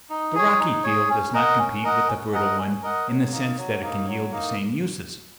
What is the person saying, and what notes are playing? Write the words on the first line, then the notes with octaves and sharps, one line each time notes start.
The rocky field does not compete with the fertile one in the sense that it can yield the same uses.
D#4
G#4 C#5
D#4
G#4 C#5
C#4
A#4 D#5 F#5
C#4
A#4 D#5 F#5
C#4
A#4 D#5 F#5
C#4
A#4 D#5 F#5
F#3
A#3 D#4
F#3
A#3 D#4
F#3
A#3 D#4